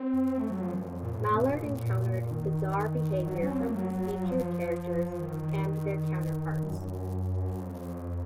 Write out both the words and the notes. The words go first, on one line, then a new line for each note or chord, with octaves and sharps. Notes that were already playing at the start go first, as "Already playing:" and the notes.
Mallard encountered bizarre behaviour from his featured characters and their counterparts.
Already playing: C4
A3
F#3
F3
F#2
F2
A#2
A2
C3
A#2
A2
A#2
D#3
F#3
C#4
C4
A#3
A3
F#3
F3
D#3
D#3
D#3
F#2
F2